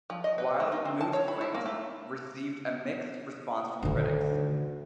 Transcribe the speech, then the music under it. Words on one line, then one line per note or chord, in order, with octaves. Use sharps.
"Wild Mood Swings" received a mixed response from critics.
F3
D#5
B4
A3
D#4
C4
A5
C#5
B5
E4
A#3
A3
D2 D3 D#3